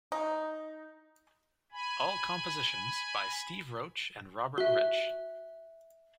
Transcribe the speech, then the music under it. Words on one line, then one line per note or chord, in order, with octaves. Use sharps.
All compositions by Steve Roach and Robert Rich.
D#4
G#5 B5
F#4 E5 F#6 G7